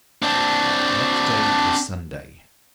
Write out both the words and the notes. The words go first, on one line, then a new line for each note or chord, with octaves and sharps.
Next day was Sunday.
C4 D4